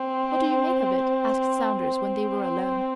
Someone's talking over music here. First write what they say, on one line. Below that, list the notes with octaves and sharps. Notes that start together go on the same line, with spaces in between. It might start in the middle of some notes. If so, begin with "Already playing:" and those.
"What do you make of it?" asked Saunders when they were alone.
Already playing: C4
C4